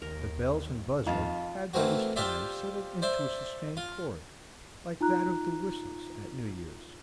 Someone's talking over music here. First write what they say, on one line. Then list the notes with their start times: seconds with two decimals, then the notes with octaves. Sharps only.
The bells and buzzer had by this time settled into a sustained chord like that of the whistles at New-year's.
0.02 D#2 A#4
1.06 F2 D#4 F4
1.73 E3 A3 A#3 C4 F#4
2.16 F4 G4 C5 D5 E5
3.02 C5 D5 E5
3.77 F4
5.01 D#4 F4 A#5 F#6